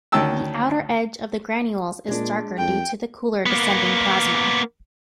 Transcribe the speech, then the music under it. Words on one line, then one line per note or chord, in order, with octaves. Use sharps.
The outer edge of the granules is darker due to the cooler descending plasma.
D2 D#3 C#4 G5 A5 E6
A#2 G#3 D4
F2 G5
A#3 B3